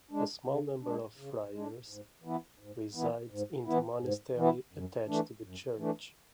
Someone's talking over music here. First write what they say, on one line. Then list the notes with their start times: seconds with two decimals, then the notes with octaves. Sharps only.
A small number of Friars reside in the monastery attached to the church.
0.11 G#3 D4
0.47 C#3
0.82 G#3 D4
1.17 C#3
1.52 G#3
1.58 D4
1.88 G#2
2.23 E3 B3 E4
2.59 G#2
2.95 E3 B3 E4
3.30 G#2
3.65 E3 B3 E4
4.01 G#2
4.36 E3 B3 E4
4.73 F#2
5.08 E3 A3 D4
5.43 F#2
5.78 E3 A3 D4